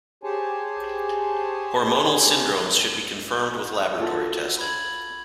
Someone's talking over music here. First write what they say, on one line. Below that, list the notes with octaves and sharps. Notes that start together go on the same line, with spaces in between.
Hormonal syndromes should be confirmed with laboratory testing.
G4 G#4 C5 C#5 G#5 A5
F4 F#4 A4
B5 G#6 F#7